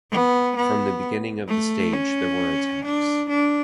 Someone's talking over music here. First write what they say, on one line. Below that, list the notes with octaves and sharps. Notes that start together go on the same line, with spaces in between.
From the beginning of the stage there were attacks.
B3
B3
A3
C#4
D4
D4